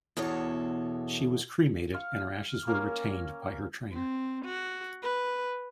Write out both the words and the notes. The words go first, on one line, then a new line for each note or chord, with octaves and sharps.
She was cremated and her ashes were retained by her trainer.
E2 B2 A4 C#5
F5 C#6
A#3 C#4 A#4
C4
F#4
B4